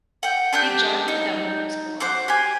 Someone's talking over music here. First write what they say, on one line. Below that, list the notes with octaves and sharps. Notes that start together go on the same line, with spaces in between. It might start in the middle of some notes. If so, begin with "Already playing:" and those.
He joined with the development squad.
F#5 G5
D4 G4 F#6 G6
D#4
F#4 C5 D6
G4 G#5